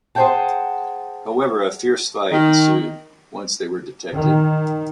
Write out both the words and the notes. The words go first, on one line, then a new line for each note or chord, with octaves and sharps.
However, a fierce fight ensued once they were detected.
G#4 C5 C#5 F#5 G5 A5
D#3
D#3